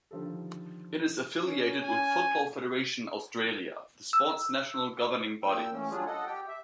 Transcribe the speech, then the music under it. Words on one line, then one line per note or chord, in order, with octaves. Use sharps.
It is affiliated with Football Federation Australia, the sport's national governing body.
D3 D#3 F3 G3 A4
C#4
G#5
E6
A#2 G5 E6
A2 E3 C#4
F#3 G3 D4 F4 G#4
A4 D#5 F#5
G4 G5
E5